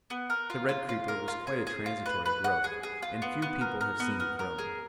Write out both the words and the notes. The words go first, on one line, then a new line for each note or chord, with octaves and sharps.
The red creeper was quite a transitory growth, and few people have seen it growing.
B3
A#4
F4
F4
F4
A#4
F4
G#4
G#4
F4
B4
B4
F#5
G#4
G#4
F4
B3
B3
A#4
A#4
B3
A#4
A#4
G#4